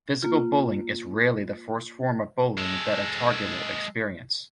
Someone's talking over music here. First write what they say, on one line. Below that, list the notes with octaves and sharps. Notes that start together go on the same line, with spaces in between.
Physical bullying is rarely the first form of bullying that a target will experience.
A#3 F4
G#3 A4